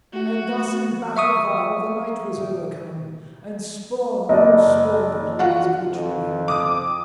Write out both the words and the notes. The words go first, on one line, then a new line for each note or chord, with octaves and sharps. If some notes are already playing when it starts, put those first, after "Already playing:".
And thus in battle vile the knight was overcome, and spawn all swarmed upon his glittering helmet.
A3 F#4
E5 C#6 D#6
F#1 D5 D#5
F4 F#4 F#5
F2
D6 D#6